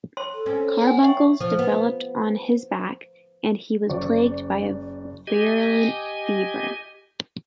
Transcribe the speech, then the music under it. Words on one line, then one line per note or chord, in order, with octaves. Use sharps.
Carbuncles developed on his back and he was plagued by a virulent fever.
C#5 C6
A4
C4 C#4
F#5 G#5
C#5 E5 G5 C#6
F3
B3
F#1 D5 C#6
G4 D#5 G#5